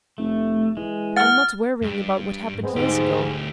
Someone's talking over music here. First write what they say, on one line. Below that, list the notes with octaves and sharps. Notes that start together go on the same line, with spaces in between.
I'm not worrying about what happened years ago.
F1 A3
E3 G#3
F#5 F6 A6
G2
G#3 B3 C4
D2 G#2 G4